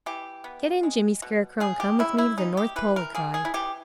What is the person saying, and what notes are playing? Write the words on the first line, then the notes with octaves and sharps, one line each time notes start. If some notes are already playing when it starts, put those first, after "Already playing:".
"Get in, Jimmy Scarecrow, and come with me to the North Pole!" he cried.
E3 G4
B3
G#3
B2
C#3 G#4
G4
C#3 E4
E4
E3 D#4
G4
E3 B4
A#4
A#3 G#4
G#4
E4
E3 G4